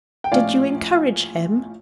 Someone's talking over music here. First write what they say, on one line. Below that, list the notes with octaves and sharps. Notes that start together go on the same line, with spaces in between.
"Did you encourage him?"
G5
A#1 A2 F3 C#4 F4 D5 F5